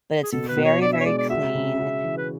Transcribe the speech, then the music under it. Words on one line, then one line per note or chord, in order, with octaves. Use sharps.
But it's very, very clean.
G#4
B2 A4
B4
B2
C#5
D4 D5
E5
C#5
G#3 D5
D5
F#4 E5
C#3
F#4
E3
B4